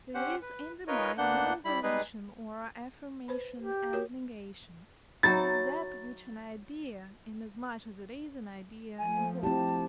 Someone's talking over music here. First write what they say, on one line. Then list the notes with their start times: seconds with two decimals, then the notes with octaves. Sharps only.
There is in the mind no volition or affirmation and negation, save that which an idea, inasmuch as it is an idea, involves.
0.14 C#4 G4 C5 F#5
0.42 B4
0.87 D#4 F4 A#4 B4 C#5 D#5
1.18 D2 A#3 B3 D4 F#5 G6
1.65 G3 E4 B5
1.83 G3 G#3 D#4 G#4 B4
3.28 B4 C5 B5
3.61 G4
3.93 F#4 A#4 C#5
5.23 F#3 D#4 E4 A6
8.98 F3 A3 G#5
9.43 C4 E4 G4 A5